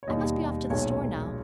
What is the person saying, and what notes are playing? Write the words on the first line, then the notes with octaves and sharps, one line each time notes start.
I must be off to the store now.
C#5
E1 D#2 D#3 G3 D#5
B1 A#2 G#3 C#5